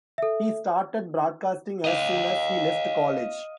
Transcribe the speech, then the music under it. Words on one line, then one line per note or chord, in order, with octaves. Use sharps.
He started broadcasting as soon as he left college.
A4 E5
D#5 F5